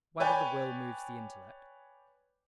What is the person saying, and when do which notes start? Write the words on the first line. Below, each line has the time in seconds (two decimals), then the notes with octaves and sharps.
Whether the Will Moves the Intellect?
0.20 B4 C#5 D5 G5 G#5